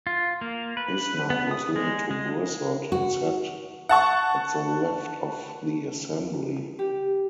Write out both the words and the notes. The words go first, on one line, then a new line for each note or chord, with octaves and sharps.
Isnard was linked to Brissot and sat at the left of the Assembly.
F4
A#3
B4
B3
D#6
G#3
G#3
F#4
F#5 A5 C#6
G4